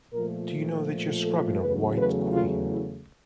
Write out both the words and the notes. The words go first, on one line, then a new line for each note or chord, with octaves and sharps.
Do you know that you’re scrubbing a White Queen?
A#2 F3 A3 A#4
A4
E2 C#3 F#3 A3 B4
B4
F4
E4